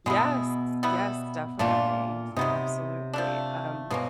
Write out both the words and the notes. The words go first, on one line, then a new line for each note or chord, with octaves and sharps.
Yes. Yes, definitely. Absolutely. Um,
B2 G#3 B3 E4
G3 B3 E4
A#2 A3 D4 F4
C3 F#3 B3 D#4
F3 A3 D4
B2 F3 A#3 C#4